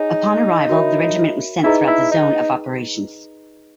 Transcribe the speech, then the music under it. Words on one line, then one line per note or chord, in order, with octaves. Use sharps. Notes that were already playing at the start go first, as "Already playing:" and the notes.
Upon arrival, the regiment was sent throughout the zone of operations.
Already playing: D#4 G#4 C#5 G#5
F#4 A#4 C#5 E5 B5
D#4 E4 G#4 B4 D#5 A#5
E4
D#4